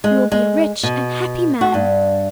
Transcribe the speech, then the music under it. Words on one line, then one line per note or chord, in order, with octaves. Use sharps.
You will be a rich and happy man!
G#3
G#3
B2
F#4
G2